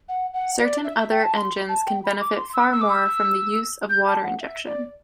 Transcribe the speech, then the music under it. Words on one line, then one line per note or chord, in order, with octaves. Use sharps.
Certain other engines can benefit far more from the use of water injection.
F#5
F#5
D5
E5
E5
G5
A5
C6
A5
G5
B5
D6
C6
E6
E6
D6
E6
G6
A5
F#5
E5
D5